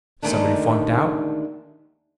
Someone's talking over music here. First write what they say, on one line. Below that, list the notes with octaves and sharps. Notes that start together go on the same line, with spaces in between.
Somebody flunked out?
D#2 D3 D#3 G#3 A3 D4